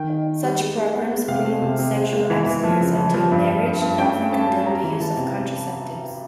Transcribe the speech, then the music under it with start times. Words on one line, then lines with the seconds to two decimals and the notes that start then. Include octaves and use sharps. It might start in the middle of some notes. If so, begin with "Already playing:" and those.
Such programs promote sexual abstinence until marriage and often condemn the use of contraceptives.
Already playing: D#3 G5
0.10 D#4
0.26 D#4
0.43 G3
0.60 G#3
0.77 G#3
0.94 B3
1.11 G#3
1.28 C3 F5
1.45 A3
1.62 C3
1.79 C3
1.96 G#3
2.13 G#3
2.30 E3
2.46 E3
2.64 F3
2.81 C#3
2.97 F3
3.14 F3
3.31 G2
3.49 G2
3.66 G2
3.82 G2
3.98 C#4 G5
4.16 A3
4.32 C#4 A5
4.50 F#3
4.66 G3 A#5
4.84 E3
5.00 E3 A5
5.17 C3